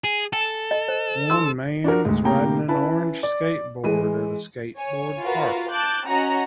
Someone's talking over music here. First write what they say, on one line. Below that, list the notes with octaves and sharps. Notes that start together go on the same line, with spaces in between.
One man is riding an orange skateboard at a skateboard park.
G#4
A4 G#5
D#5
C5
D#4 C6 E6
D4 F#4 A#4
D2 G#2
A2 C3 A#3 G5 A#5
C#4 E4 B4 A5
D5
E3 G#3 D#7
C#5 G#5
F4 F#4 A#4 B4
A5 D6 F#6 G6
C#4 F#4 D#5 F#5 A#5